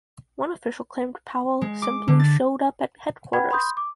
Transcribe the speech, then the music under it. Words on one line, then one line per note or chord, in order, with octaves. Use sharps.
One official claimed Powell "simply showed up at headquarters".
G#3
D6
D3
A6
B4 F#5 G5 B5 G#6
B5 C6 D#6 G6
D6